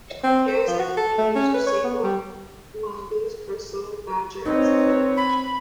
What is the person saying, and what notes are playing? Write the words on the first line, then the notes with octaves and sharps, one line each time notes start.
Hairs that can be used are sable, mongoose, bristle, badger and synthetic.
C4
C5
F3
F#4
A4
A3
C#4
B4
C#5
B3
G3
C4 D#4 B4 C#5
B5